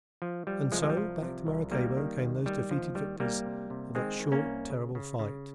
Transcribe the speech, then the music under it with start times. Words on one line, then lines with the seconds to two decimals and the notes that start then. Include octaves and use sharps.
And so, back to Maracaybo came those defeated victors of that short, terrible fight.
0.22 F3
0.47 F3 G3
0.72 C2 F3 G#3
0.82 G#3
0.90 G3
0.96 C2 F3
1.22 C3
1.47 C2
1.71 D#3 G3 A#3
1.97 D#3
2.21 D#2
2.46 D#3 G3
2.71 D#2 F3
2.95 D#3 G3
3.20 C2 G3 A#3
3.46 C3
3.70 C3
3.95 D#3 G#3 C4
4.20 D#3
4.32 A#3 C#4
4.44 C2
4.70 C#3
4.95 C#3
5.19 C#3